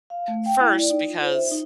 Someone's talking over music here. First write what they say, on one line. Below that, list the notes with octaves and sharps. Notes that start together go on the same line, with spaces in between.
First, because
F5
A3
G5
E4
D5
D#4
F4
C5
E5
D#4